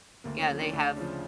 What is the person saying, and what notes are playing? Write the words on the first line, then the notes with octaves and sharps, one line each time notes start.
yeah, they have
D2 A#3
C#4
D3 F3
D4
D2 D4
C#3 F3 C#4